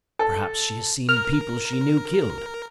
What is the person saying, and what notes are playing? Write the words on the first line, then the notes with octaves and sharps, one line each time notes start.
Perhaps she has seen people she knew killed.
A4
A#4 F6